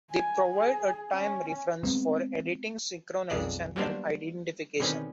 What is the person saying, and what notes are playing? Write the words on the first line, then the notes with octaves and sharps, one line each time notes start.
They provide a time reference for editing, synchronization and identification.
G#5
G#4
C#4
G#3 B3 C4
B1 F2 G#3 G#4 D5
F#3 G3 A#3 B3 D4 C5
B2 D3 D#3 C4 C#4 B4